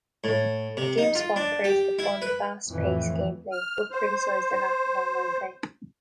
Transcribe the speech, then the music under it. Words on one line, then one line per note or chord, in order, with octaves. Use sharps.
GameSpot praised the "fun, fast-paced gameplay" but criticized the lack of online play.
A2
C3
D#4
F4
D4
G4
E4
B4
F2 A2 E3
F6
C5